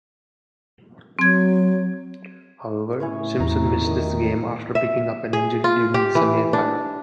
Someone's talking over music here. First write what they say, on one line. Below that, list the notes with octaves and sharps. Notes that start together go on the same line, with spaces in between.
However, Simpson missed this game after picking up an injury during the semi-final.
F#3 C4 G#6
A2 C#3 C#4 E4 C#5
E2 A#5
D#3 D5 D#5 A#5
E5
G#4
F4
G4
E3
D4